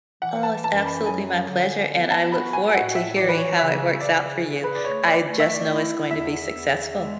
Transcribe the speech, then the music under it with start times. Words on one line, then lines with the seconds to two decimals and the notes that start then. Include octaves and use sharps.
Oh, it's absolutely my pleasure, and I look forward to hearing how it works out for you. I just know it's going to be successful.
0.22 E3 F#5
0.43 A5
0.64 F#2 A5
0.86 B5
1.06 F#3 G#5
1.48 D3
1.90 B3
2.11 A5
2.32 F#4 B5
2.53 G#5
2.70 G#5
2.74 A2 F#5
2.95 E5
3.17 E3 D5
3.29 B4
3.37 C#5
3.59 C#3 E5
4.01 C#3 D5
4.43 G#4
4.64 B4
4.75 D5
4.84 A3 C#5
5.06 D5
5.26 A3 D5
5.40 E5
5.53 D5
5.69 E4
6.10 E2 E5
6.53 E2
6.95 G#3